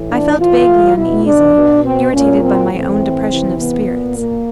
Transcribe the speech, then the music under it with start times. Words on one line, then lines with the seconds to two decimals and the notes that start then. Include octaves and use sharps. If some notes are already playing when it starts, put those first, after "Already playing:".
I felt vaguely uneasy; irritated by my own depression of spirits.
Already playing: A2 E3
0.09 D4
0.38 A2 E3 F4
0.96 B2 E4
1.26 D4
1.55 B2
1.83 C4
2.12 A#2 C#4
2.42 C4
2.71 A2 E3 C4
3.29 C3 E3
3.58 B3
3.87 A#2
4.17 A#3